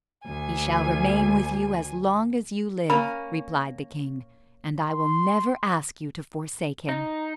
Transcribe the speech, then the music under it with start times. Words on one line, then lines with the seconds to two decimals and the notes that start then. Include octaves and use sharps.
"He shall remain with you as long as you live," replied the king, "and I will never ask you to forsake him."
0.24 D2 G#5
2.90 A#3 C#4 B5
4.90 C6
6.89 D#4